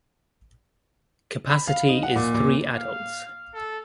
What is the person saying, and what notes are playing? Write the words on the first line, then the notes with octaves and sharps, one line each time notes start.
Capacity is three adults.
B5
F5
D#4
F#5
A#2
A#2
F5
A4